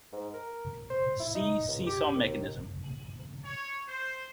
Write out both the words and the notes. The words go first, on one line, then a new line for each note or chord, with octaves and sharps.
See seesaw mechanism.
G#2
A#4
C5
E4
D#4
C#2
G4
D#2
C#5
C5